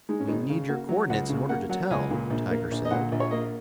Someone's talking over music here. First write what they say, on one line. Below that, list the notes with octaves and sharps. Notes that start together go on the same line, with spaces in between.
"We need your co-ordinates in order to tell," Tiger said.
G#3 D#4
C#4
G#1 D#4
C#3 D#4
A#3 F#4
F#3
C#2 F#5
C#3
A#3 F#5
F#3 F#5
C#2 G#5
A#2
A#1
A#3
A#1
D#5
A#2 F#5
A#1
C#5
A#3 D#5